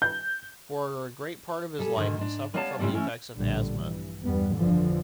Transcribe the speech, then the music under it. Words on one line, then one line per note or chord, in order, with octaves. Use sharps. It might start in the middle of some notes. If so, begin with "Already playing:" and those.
For a great part of his life, he suffered from the effects of asthma.
G6
G3 G#4 A4
G#2 B2 D3 D#3
G#2 D4
G3 B3 C#5 F5 G#5 A5
A2 C#3 G3 C4 D5
E3 A3 C#4 E4
A#1 A2 D3 G3
G2 E3
E2 G2 G3 B3
G1 F2 D3 E3 F3